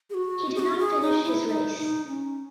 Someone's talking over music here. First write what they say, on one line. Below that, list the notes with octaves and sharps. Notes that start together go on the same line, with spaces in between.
He did not finish his race.
G#4
F#4
G#4
F#4
G#4
D#4
E4
D#4
D#4
C#4